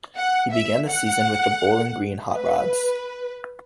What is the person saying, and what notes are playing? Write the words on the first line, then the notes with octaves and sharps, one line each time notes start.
He began the season with the Bowling Green Hot Rods.
F#5
E5
F#5
B4